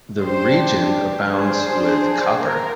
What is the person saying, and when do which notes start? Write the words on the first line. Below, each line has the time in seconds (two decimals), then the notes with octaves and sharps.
The region abounds with copper.
0.23 D4 G4 C5
1.34 D4 G#4 C5
2.44 A#3 A#4